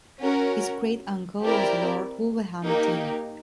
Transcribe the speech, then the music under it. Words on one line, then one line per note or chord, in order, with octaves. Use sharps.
His great uncle was Lord Wolverhampton.
C#4 F#4 A#4
C4 E4 G4 A#4 D5
A#3 D#4 G4 A#4